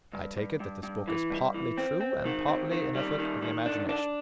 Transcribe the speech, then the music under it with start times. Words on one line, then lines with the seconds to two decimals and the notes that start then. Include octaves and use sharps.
I take it that this book is partly true, and partly an effort of the imagination.
0.13 G2
0.37 G2
0.60 G2
0.83 G2
1.08 E3
1.30 G2
1.54 E3
1.78 C4
2.01 C4
2.25 D#3
2.48 C4
2.72 D#3
2.95 G3
3.19 D#3
3.42 D#3
3.66 D4
3.89 D4